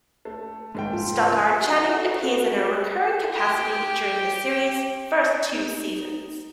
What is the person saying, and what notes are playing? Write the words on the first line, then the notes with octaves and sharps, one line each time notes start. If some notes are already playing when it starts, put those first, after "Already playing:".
Stockard Channing appears in a recurring capacity during the series first two seasons.
A3
G#2 A3 G5
F4
C#3
F#4 A4
G4 G5
D#4